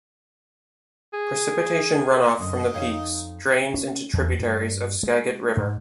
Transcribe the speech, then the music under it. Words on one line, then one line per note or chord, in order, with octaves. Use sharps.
Precipitation runoff from the peaks drains into tributaries of Skagit River.
G#4
F#2 D3 C#4 D#5
F2 D#4 C#5 F5
C#4
E2
G2
G#3
G#2